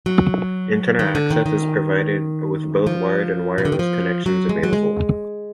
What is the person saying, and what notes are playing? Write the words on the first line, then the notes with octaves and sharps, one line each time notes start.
Internet access is provided, with both wired and wireless connections available.
F#3
D#3
D3
D#3
D#3
F3
B2
D3
D#3
F3
F#3
G#3
F#3
G#3